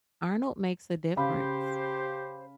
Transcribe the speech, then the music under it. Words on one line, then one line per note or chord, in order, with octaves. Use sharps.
Arnold makes a difference.
C#3 G4 C5 F5 B5